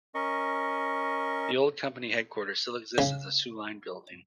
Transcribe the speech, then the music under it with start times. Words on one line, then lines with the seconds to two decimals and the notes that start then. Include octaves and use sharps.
The old company headquarters still exist as the Soo Line Building.
0.15 C#4 A#4 D#5 C#6
2.98 C#3